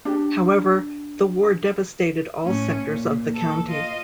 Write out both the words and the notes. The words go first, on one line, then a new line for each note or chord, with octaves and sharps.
However, the war devastated all sectors of the county.
D4 G4
A2 C#4
A#2
A4
F4 D#5